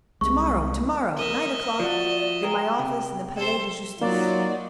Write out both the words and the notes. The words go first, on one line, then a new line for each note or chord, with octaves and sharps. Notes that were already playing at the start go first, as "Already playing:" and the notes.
"To-morrow!--to-morrow, at nine o'clock, in my office in the Palais de Justice."
C2 G#3 C#6
A#4 D#5 E5
F3 F#4 D5
G#4 A#4 G5
C3
A4 C5
F#3 A#3 D#4 F4 F#4 D5